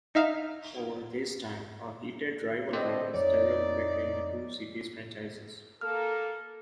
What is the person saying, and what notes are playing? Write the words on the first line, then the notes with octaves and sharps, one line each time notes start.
Over this time, a heated rivalry has developed between the two cities' franchises.
D#4 E5 F5
A2 D3 C4 C5 D5 D#5
F2 D#4 C#5 D5
A#3 A4 F6